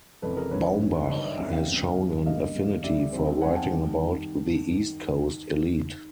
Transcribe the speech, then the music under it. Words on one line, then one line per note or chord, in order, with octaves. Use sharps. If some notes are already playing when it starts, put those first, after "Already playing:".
Baumbach has shown an affinity for writing about the East Coast elite.
F1 F2 C#3 E3 A4 B4
G#4 A#4
G1 F#2 D3 F3 B4 C#5
A1 G2 D#3 G#3
G2 D#3 G3 C#5 D#5
D5 E5
F#2 C#3 F3 A3 C4 D5 E5
F5 G5
D2 C#3 F#3 B3
G2 E3 G3 B3
G1 F#2 D3 G3 A#3 D#5 F5
E2 C#3 F#3 A3
D2 D3 G3 D5 E5
D#2 D#3 G#3 C4
F#2 D#3 G3 C4 F#5 G#5
G5 A5
D#3 G3